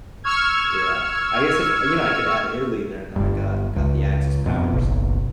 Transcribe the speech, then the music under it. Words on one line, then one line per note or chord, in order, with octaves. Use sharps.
Yeah, I guess if you know, I could add Italy there and then I got got the Axis powers,
C#6 E6 F6 G#6
G1 G2
C#2
F2 B2
F#1 B1